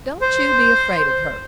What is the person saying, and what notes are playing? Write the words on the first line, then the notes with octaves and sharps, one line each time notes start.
Don't you be afraid of her.
C5